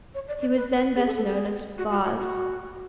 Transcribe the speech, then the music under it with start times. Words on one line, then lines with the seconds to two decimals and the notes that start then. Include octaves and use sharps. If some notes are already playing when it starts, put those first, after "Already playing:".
He was then best known as "Boz."
0.14 C#5
0.28 D5
0.41 D5
0.55 B4
0.75 B4
0.96 G#4
1.06 A4
1.16 A4
1.27 G#4
1.78 F#4
1.91 F#4
2.04 F#4
2.19 F#4